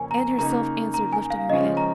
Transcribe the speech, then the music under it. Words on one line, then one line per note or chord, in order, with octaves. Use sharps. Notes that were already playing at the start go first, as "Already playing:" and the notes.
Anne herself answered, lifting her head.
Already playing: F2 C#3 A#3 C#4 G#5
A#5
C#3 A#3 D#4 A#5
A#5
G#5
F5
C#3 F3 G#3 C#4 D#5
A#5